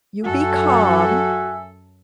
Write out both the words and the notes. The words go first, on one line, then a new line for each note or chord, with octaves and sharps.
you be calm,
F#2 F#4 A4 E5 G#5